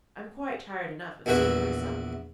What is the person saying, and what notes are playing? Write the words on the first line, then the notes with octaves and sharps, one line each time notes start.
I am quite tired enough of seeing myself.'
A#1 E2 E4 F#4 B4